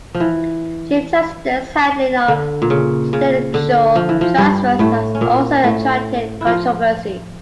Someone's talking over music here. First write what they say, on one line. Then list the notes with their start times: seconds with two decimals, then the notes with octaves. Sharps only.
Chief Justice's handling of judicial transfers has also attracted controversy.
0.15 F3
0.20 E3
2.28 D3
2.62 A#2
2.70 C#3
3.13 C#3
3.54 D3
3.96 F3
4.09 E3
4.21 F3
4.38 G2 G3
4.79 A2 A3
5.15 C#4
5.21 A#2 A#3
5.64 A2 A3
6.41 E4
6.47 F3 F4